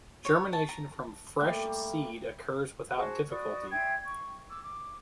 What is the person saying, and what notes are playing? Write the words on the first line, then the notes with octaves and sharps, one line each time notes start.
Germination from fresh seed occurs without difficulty.
C#5
A5
A#5
G3 A3 A#3
F#4 G#4 C5 A5
F#4 D5 B5 D#6
E5 G5 C6 G#6
C#6
D6 E6
D6